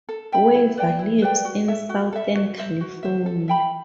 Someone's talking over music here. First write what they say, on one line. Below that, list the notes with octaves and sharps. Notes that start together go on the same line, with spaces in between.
Weaver lives in Southern California.
A4
E5 G5 B5
E4
B4 D5 G5
E4
B4 D5 G5
F#4
A4 E5
F#4
A4 E5
F#4
C5 E5
F#4
C5 E5
A4
E5 G5 B5